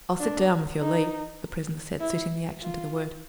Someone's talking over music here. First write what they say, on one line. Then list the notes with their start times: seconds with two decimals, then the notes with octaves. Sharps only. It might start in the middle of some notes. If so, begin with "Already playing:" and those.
"I'll sit down, with your leave," the prisoner said, suiting the action to the word.
0.20 D4
0.80 D#4
2.00 E4
2.61 F4